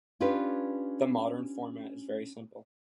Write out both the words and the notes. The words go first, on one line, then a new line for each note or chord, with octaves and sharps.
The modern format is very simple.
C#4 D4 F4 G4 B4